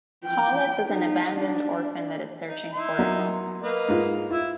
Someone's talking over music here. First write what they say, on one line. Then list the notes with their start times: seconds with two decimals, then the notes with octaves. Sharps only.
Hollis is an abandoned orphan that is searching for a home.
0.25 G5
0.88 D#4
1.40 D4
2.47 D#4
2.73 D#4 E4 C6
2.99 F#3 A#3 B3
3.63 A#3 B4 D#5
3.88 G#2 G#3 F4
4.31 E4 F4